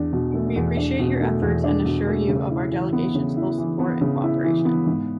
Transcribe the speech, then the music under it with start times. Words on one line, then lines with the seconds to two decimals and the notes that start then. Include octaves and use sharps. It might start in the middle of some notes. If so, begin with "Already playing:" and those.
We appreciate your efforts and assure you of our delegation's full support and cooperation.
Already playing: E2 D4
0.13 B2
0.34 A3
0.56 E2
0.77 D4
0.99 B2
1.21 A3
1.42 E2
1.64 D4
1.85 B2
2.07 A3
2.28 C#3
2.50 E4
2.71 E3
2.93 B3
3.15 C#3
3.36 E4
3.58 E3
3.79 B3
4.01 C#3
4.22 E4
4.44 E3
4.65 B3
4.87 G#2